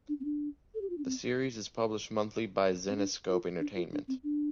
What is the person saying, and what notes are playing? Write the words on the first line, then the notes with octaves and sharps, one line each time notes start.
The series is published monthly by Zenescope Entertainment.
D4
C4
D4
A4
G4
F4
D4
C4
C4
D4
F4
D4
F4
D4
C4
D4